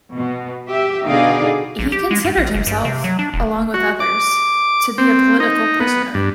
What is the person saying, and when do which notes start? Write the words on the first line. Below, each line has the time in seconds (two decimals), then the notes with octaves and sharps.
He considered himself, along with others, to be a political prisoner.
0.15 B2
0.69 G4 E5
1.05 B2 D3 D#4 G#4 D5 F5
1.79 A#1
1.92 G4
2.11 G#3
2.24 G2
2.37 A#1
2.54 F#1
2.67 G2
2.85 C3
3.04 F#3
3.19 D4
3.34 E1
3.74 F#4
4.00 D6
4.98 C4
5.40 D#4
5.80 B3
6.14 G2